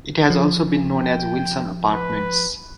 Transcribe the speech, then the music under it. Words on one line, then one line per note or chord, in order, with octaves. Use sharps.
It has also been known as Wilson Apartments.
F3
G5
B4